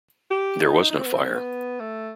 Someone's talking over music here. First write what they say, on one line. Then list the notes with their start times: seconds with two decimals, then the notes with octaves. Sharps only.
There was no fire.
0.31 G4
0.62 D#4
0.91 D#4
0.98 C4
1.06 B3
1.12 C4
1.35 B3
1.80 A3